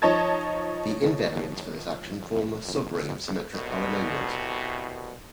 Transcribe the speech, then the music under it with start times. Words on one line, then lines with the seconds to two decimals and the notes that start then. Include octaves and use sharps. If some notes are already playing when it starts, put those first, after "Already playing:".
The invariants for this action form the subring of symmetric polynomials.
0.02 F3 D#4 C#5 D#5 A5 G#6
3.53 C2 B2